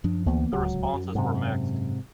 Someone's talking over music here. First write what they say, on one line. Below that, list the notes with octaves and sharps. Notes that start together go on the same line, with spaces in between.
The responses were mixed.
F#2 F3 D4
D2 E3 A#3 B3
D1 C#2 F#3
F#2
G#2 C3